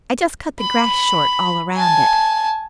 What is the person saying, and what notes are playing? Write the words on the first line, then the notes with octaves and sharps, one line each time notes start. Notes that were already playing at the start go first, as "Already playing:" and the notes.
I just cut the grass short all around it.
B5
G#5 A5